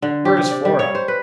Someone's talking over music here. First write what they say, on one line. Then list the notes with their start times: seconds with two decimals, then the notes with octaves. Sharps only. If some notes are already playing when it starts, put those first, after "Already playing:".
Where is Flora?'
0.02 D3
0.25 G4
0.37 C3
0.51 D5
0.65 G3
0.79 C#5
0.95 C5
1.08 B4